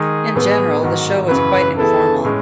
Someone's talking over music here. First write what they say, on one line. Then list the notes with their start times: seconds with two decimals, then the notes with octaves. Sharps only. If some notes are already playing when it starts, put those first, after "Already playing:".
In general the show was quite informal.
Already playing: D#3 G#3 D#4 G#4
0.35 A2 E3 B3 G#4
0.82 G#2 D#3 F#3
1.30 F#2 C#3 E3 B4
1.77 E3 B3 E4 G#4 A4
2.24 A2 G#3 C#4